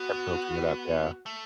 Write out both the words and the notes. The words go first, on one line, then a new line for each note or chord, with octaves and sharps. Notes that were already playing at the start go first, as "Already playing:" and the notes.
Kept building it up, yeah.
Already playing: B3 F#4
A3